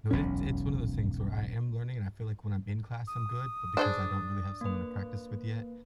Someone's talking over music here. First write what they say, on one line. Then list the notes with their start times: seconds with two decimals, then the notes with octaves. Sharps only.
No, it's it's one of those things where I am learning, and I feel like when I'm in class, I'm good, but because I don't really have someone to practice with yet,
0.11 E1 B1 F#2 C#4
3.07 D#6
3.77 D4 G#4 C5 A5
4.61 A#3 B4